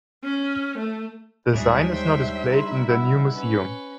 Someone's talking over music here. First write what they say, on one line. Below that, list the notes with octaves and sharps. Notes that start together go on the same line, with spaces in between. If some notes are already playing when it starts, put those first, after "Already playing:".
The sign is now displayed in their new museum.
C#4
A3
D#2 G3 G#3 D4 D#4 G#4 C#5 E5
C5 G5
E4 A#5 C6
F#5 B5 E6
C#4 B4